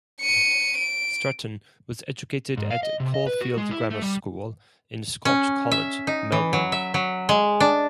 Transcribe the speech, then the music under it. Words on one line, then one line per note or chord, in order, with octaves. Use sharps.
Stretton was educated at Caulfield Grammar School and Scotch College, Melbourne.
C#7 D#7
D7
G#2
F5
D#5
C3
D#5
B4
F#4
G#3
E4
A3
G3
C#4
E5
D#4
E3
F#3
E5
F#3
G#3
D4